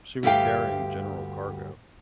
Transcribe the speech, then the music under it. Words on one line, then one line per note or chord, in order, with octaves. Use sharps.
She was carrying general cargo.
D2 G2 G4 F5 G5